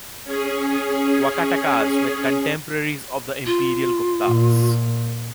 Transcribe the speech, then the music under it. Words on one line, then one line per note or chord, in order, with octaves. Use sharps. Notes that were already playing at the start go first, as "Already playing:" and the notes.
Vakatakas were contemporaries of the Imperial Guptas.
C#4 G#4
F4
A#2